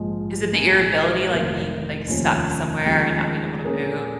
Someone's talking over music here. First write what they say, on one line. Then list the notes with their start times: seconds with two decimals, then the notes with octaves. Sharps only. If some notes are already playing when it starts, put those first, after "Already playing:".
Is it the irritability, like, being, like, stuck somewhere and not being able to move?
Already playing: A#1 G#2 F3 G#3
0.52 A#1 A#2 G#3 D#4
1.29 F1 F2 D#3 A#3
2.08 F1 D#2 C#3 F3 C#4
2.86 D#2 C#3 F3 G#3 D#4
3.64 A#2 A#3 C#4 G#4